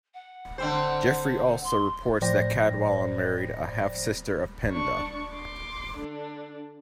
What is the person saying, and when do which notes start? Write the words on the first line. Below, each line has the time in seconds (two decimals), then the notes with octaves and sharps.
Geoffrey also reports that Cadwallon married a half-sister of Penda.
0.14 F#5
0.58 D3 C4 C5
1.64 C6
2.21 A2 F3 C5 D5 G5 A#6
4.71 D4 C#6
5.33 C6 D6
5.97 D3 D4